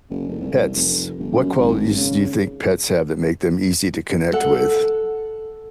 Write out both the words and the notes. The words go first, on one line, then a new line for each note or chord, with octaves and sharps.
pets. What qualities do you think pets have that make them easy to connect with?
F#1
F1
C2
F1
G1
F#2
G#1
C#3
A4 F#5